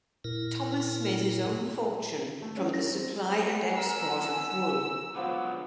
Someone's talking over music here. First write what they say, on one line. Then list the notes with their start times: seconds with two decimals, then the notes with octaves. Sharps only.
Thomas made his own fortune from the supply and export of wool.
0.24 A#2 E4 A#4
2.42 A3
2.57 C#4
2.74 A#6
2.92 C4
3.38 B3 G#5
3.77 A#4 E6
5.15 D3 F3 F#3 G#3 B3 D6